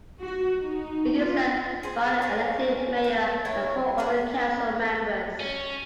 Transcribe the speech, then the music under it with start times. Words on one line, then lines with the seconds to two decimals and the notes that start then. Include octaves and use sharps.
It is led by an elected mayor and four other council members.
0.21 F#4
0.62 D#4
1.20 F4
1.83 G#4 C5
2.22 C4 C#4
3.04 G5
3.45 F#3 A3 E4 C#5
3.98 D4 G#4 F#5
5.40 C#4